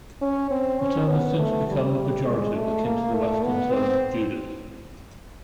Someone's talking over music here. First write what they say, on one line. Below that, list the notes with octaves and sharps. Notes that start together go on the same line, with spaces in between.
The term has since become a pejorative akin to the western term "Judas".
C#4
C4
C#4
B3
A3
G3
G#3
A3
A#3
A3
B3
C4